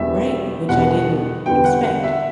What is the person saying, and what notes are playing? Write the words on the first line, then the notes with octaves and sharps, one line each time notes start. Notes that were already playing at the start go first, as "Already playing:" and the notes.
Right, which I didn't expect.
Already playing: E1 E2 B2 G3 E5
E1 E2 B2 G3 F#5
E2 D3 G3 B3 G5
F#5
F#5
E5